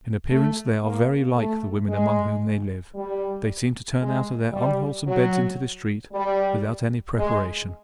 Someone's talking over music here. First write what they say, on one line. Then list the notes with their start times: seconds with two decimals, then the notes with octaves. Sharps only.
In appearance, they are very like the women among whom they live. They seem to turn out of their unwholesome beds into the street, without any preparation.
0.30 A3
0.84 A#3
1.36 A3
1.89 G#3
2.95 G3
4.01 G#3
4.53 G3
5.06 F#3
6.12 G3
7.17 G#3